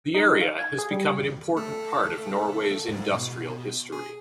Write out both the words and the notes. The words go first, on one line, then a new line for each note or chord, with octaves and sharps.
The area has become an important part of Norway's industrial history.
D#4
F5
G#6
G#4
G3
A3 A4
G#2
B2
G#4